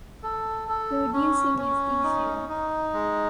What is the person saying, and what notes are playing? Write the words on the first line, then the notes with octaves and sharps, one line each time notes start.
Producing is easier.
A4
A4
C#4
C#4
D#4
D#4
G#3